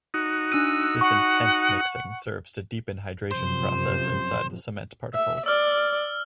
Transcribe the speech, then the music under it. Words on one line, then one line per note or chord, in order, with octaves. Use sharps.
This intense mixing serves to deepen hydration process inside the cement particles.
D#4 F#4
D4 E6 F#6 D#7
F#5 C#6
F#2 C3 F3 C5
E5
D5 E6 F6